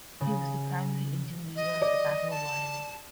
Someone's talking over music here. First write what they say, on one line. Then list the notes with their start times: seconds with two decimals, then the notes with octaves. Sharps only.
He was the primary Indian leader at the Battle of Wyoming.
0.21 C#3
1.56 D#5
1.82 D5
2.31 A5